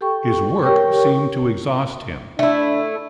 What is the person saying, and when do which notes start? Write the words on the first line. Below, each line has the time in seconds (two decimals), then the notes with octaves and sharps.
His work seemed to exhaust him.
0.01 G4 A4 G5 C#6
0.62 G4 A#4 C#5 G5 C#6
2.39 A3 D4 E4